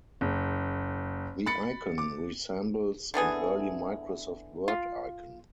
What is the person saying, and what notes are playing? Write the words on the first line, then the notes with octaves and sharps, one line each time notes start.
The icon resembles an early Microsoft Word icon.
F#1
B5 A6 C#7
D6
D3 E3 B3 G#4
F4